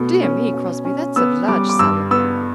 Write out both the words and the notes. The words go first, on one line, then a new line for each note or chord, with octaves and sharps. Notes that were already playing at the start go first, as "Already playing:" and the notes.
"Dear me, Crosbie; that's a large sum of money."
Already playing: B2 A3
C#4
B2
C#4
B3 E6
G3 D6
D6
G2 E6
B3 E6